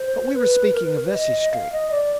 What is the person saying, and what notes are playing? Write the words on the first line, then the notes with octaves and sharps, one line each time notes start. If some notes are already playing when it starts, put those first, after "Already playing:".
But we were speaking of Vesey Street.
Already playing: C5
B4
A#4
B4
A#4
B4
D#5
F5
D#5
D5